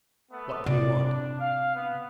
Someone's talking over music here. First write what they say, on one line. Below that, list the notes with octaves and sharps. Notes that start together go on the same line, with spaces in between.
What did he want?
A3 B3
C3 D5
D4
F5
B3